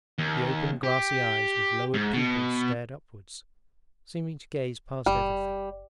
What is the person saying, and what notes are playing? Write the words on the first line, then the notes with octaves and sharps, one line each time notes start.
The open glassy eyes with lowered pupils stared upwards, seeming to gaze past everything.
D#2
G4
G#2
B2
F#1 G3